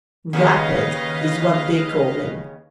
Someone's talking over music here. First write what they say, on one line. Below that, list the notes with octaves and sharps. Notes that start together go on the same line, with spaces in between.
"Rapid" is what they call him.
D#2 C#3 B4 D#5 F5